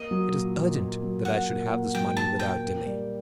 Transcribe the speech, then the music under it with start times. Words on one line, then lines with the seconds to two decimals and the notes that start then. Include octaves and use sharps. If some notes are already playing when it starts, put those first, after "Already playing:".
It is urgent that I should have this money without delay.
Already playing: A#3 D#5
0.11 F#3
0.34 A#2
0.57 A#2
0.80 A#3
1.03 F#3
1.25 A#2 F#5
1.49 A#2
1.71 A#3
1.95 F#3 G5
2.17 A#2 A5
2.40 A#2 G5
2.63 A#3
2.86 G3